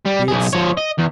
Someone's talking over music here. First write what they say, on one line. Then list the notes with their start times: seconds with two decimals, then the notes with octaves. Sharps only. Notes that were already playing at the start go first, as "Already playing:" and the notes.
Be it so.
0.05 G3
0.28 B1 G#4
0.53 F3 C#5
0.77 D#5
0.98 E2